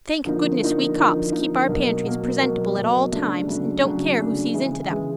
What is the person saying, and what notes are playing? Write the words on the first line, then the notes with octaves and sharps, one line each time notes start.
Thank goodness, we Copps keep our pantries presentable at all times and don't care who sees into them.
D3 F3 A#3 D#4
D3 F3 A#3 D#4
D3 F3 A#3 D#4
D3 F3 A#3 D#4
B2 F#3 A#3
B2 F#3 A#3
B2 F#3 A#3
B2 F#3 A#3
C#3 F#3 A3 D4
C#3 F#3 A3 D4
C#3 F#3 A3 D4
C#3 F#3 A3 D4
C#3 E3 G#3
C#3 E3 G#3